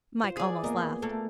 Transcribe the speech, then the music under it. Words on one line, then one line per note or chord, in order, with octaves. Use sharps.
Mike almost laughed.
F4 C5
G#4 D5
E2 A#3 B3 A#4 D#5
A3 A#3 A4